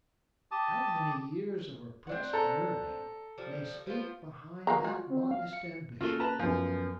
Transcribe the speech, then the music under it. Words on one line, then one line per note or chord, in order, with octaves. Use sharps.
How many years of repressed yearning may speak behind that modest ambition!
G4 A5 D#6
C4 D4 F#5
A4 A#5
F3 G3
F3 B3 F4
F#4 A#4 F5 A#5
F4
C4
F5
C#7
C#3 A#3 F4 F#4 A4 G7
B4 A5 A#5
F#2 F3 B3 G#5